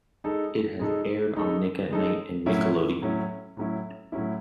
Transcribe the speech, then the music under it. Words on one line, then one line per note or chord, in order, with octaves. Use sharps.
It has aired on Nick at Nite and Nickelodeon.
G#3 D#4 A4
G#3 D#4 A4
G#3 D#4 A4
G#3 D#4 A4
A2 F#3 C#4 E4
A2 F#3 C#4 E4
A2 F#3 C#4 E4
A2 F#3 C#4 E4